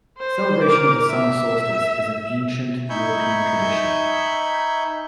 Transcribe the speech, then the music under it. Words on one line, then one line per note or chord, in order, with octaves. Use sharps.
Celebration of the summer solstice is an ancient European tradition.
C5
A#4 D6
E5
D#4 E5 G#5 B5 C#6 G6